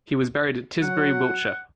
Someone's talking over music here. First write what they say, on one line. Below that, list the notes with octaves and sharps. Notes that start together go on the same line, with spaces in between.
He was buried at Tisbury, Wiltshire.
F#3 F#5